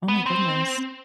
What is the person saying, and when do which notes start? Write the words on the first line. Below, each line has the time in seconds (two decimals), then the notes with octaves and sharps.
Oh my goodness.
0.08 B3
0.26 C4